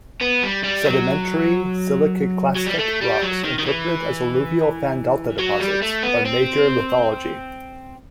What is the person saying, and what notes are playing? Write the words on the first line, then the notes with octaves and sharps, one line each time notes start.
Sedimentary siliciclastic rocks, interpreted as alluvial fan-delta deposits, are the major lithology.
B3
G3
G3
F#3
F#3
G3
A3
G3
F#3
D#3
D#3
E3
F#3
G3
A3
B3
C4